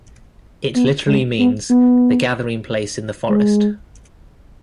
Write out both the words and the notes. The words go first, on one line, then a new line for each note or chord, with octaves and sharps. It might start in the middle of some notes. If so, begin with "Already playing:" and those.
It literally means 'the gathering place in the forest'.
B3
G#3
B3
B3
G#3